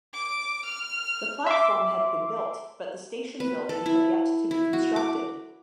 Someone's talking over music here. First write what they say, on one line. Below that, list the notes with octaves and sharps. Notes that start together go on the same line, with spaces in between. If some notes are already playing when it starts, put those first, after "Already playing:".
The platform had been built, but the station building had yet to be constructed.
D6
F6
E5 C6 D6
B4
A4
E4
E4
F#4
D6